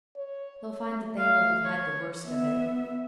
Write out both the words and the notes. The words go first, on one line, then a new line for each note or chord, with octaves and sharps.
They'll find that they will have had the worst of it.
C#5
A3
F5
C#5
B3 E5